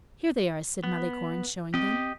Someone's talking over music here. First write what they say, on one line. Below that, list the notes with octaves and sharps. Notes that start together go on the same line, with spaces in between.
"Here they are," said Malicorne, showing them.
B3
C4 G4 D#5